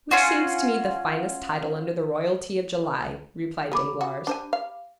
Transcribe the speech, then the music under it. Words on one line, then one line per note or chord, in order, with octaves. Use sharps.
"Which seems to me the finest title under the royalty of July," replied Danglars.
C#4 F4 F#4
D#3 G4 G#4 B5 D6
F#4
D4 C5 G#5
F5